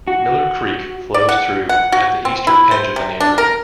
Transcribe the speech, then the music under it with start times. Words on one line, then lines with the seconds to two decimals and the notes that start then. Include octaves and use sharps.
Miller Creek flows through at the eastern edge of the neighborhood.
0.08 F#4
1.14 D5
1.29 F#5
1.69 F#5
1.92 F#4
2.25 C4
2.47 E4
2.71 C5
2.96 C3
3.20 D4
3.38 A#4